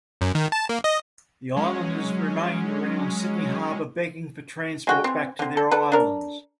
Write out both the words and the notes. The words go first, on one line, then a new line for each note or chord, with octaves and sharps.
The Islanders remained around Sydney harbour, begging for transport back to their islands.
F#2
D#3
A5
A#3
D#5
F#3 G#3 C#4
G#3 F#4 G5
E3 C4
D3 C4
A4
A4 B4
D4 A#4